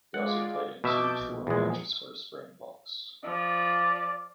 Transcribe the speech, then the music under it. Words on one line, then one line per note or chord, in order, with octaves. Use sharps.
He also played in two tour matches for the Springboks.
G#3 F4 D5 F#5
B2 E5 A5 D6 G6
A#1
E2 A#2 F3 G#3
F3 D5